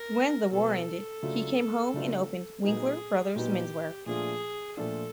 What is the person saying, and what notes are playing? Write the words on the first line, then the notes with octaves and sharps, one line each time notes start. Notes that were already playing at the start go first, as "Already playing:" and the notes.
When the war ended, he came home and opened "Winkler Brothers Menswear".
Already playing: A#4
B2 F#3 B3 A4
C#3 F#3 A3 D4 F4
C#3 F#3 A3 D4 F4
A#2 F#3 B3 D#4 G#4
A#2 F#3 B3 D#4 G4
A#2 F3 A3 D4 F4 G#4
A#2 F3 A3 D4 F4 A4